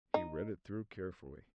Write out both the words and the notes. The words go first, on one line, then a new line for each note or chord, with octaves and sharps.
He read it through carefully.
D#4